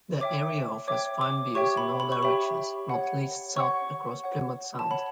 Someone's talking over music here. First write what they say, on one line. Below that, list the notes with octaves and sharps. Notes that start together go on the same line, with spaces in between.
The area offers fine views in all directions, not least south across Plymouth Sound.
C#5 E5 G5 D6
C#5 E5 G5 D6
D6
G4 C#5 E5 G5 C#6
B5
B5
C#6
G4 C#5 E5 G5 B5
C#5 F#5
C#5 F#5 C#6
C#5 F#5
A5
C#5 F#5 B5